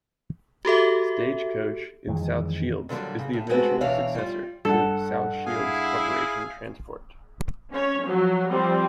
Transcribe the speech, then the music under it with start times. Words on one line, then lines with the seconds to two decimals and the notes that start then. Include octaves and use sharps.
Stagecoach in South Shields is the eventual successor to South Shields Corporation Transport.
0.65 F#4 G4 A4 E5
2.07 F2 D#3 E3 G#3
2.89 A#2 D3 F#3 G3
3.19 C#3
3.33 A2
3.50 G#3 A3 B3 C4 F#4 B4
3.81 E2 B2 E3 D4 C#5 F5
4.15 G3 F4
4.65 G2 A4 F#5
5.46 E4 G#4 F5 G#5
7.73 C#4 C#5
8.05 F3 F#3
8.50 F3 G3 C4